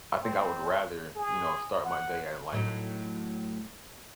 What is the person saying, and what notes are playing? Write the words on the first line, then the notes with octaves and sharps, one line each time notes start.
I think I would rather, you know, start my day at, like,
C4
G#4
F#5
A2 F#3 D#4